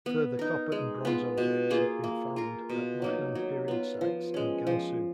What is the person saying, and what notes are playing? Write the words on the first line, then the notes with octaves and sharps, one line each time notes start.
Further copper and bronze objects have been found at Machang-period sites in Gansu.
B3
D#4 A#4
G#3
B3 F4
B2
A#3 F4 G#4
A#3
F4 A#4
B2
F#3 A#3 D#4
F#3
B3 F4
F3
G#3 C#4
F3